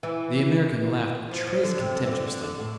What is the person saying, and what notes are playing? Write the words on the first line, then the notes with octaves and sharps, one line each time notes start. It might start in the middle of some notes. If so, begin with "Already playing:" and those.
The American laughed a trace contemptuously.
E3
F3
F3
D3
C3
D3
E3
D3
D3
D3
A2